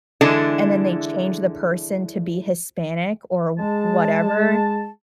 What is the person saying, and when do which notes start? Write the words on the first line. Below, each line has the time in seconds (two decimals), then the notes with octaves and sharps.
and then they change the person to be Hispanic or whatever,
0.21 D3 E3 G#3 D4 E4 A4
3.59 G#3 A5